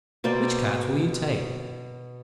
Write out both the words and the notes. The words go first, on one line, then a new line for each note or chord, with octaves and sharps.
Which cards will you take?
B2 A#3 C5 D5